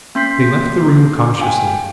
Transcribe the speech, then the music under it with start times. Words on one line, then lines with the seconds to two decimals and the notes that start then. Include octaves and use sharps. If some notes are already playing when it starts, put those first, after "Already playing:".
They left the room cautiously.
0.15 A#3 C#4 C6 G6 B6 C7
1.41 F5 G5 G#5